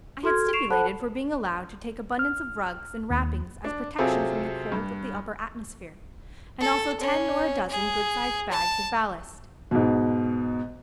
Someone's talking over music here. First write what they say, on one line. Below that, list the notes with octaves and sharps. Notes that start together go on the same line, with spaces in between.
I had stipulated for being allowed to take abundance of rugs and wrappings as protection from the cold of the upper atmosphere, and also ten or a dozen good-sized bags of ballast.
F#4 A4 C6 F6 G#6
C#6 C7 D7 E7 F7
A4 C5 F#5 A5 B5 F#6
F6
D#2
D4
C3 F#3 C4 F4 G#4 A4
G2
A4
C#4
G#4
A5
G#2 B2